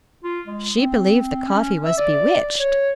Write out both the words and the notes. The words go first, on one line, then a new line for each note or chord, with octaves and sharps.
She believed the coffee was bewitched.
F4
G#3
C4
C#4
E5
D5
C#5